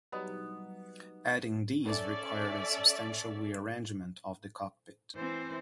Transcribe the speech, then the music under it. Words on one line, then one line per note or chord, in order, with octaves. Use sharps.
Adding these required a substantial rearrangement of the cockpit.
F#3 G3 B3 D#4
C#4 A4 D5 E5
E3 C4 C5